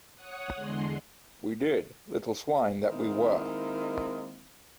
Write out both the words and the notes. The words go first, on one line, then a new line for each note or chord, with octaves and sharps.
We did, little swine that we were.
C#5 F#5 D#6 F#6
E2 D3 G#3 C6
D#3 G#3 A#3 C4 E4